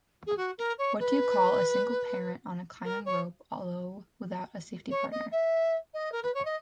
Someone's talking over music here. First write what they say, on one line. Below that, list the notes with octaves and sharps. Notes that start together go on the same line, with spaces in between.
What do you call a single parent on a climbing rope, although without a safety partner?
G#4
F#4
A#4
C#5
B4
A#4
C#5
C#5
D#5
E5
D#5
A#4
B4
C#5
D#5